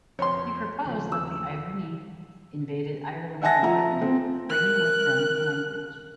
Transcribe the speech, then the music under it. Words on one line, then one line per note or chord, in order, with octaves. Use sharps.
He proposed that the Iverni invaded Ireland from Britain, bringing with them the language.
F2 C#5 C6
D#2 C#3 F3
E6
E5 F#5 G#5 A5 A#6
F3 E5 A#5
C4
A#4 F#6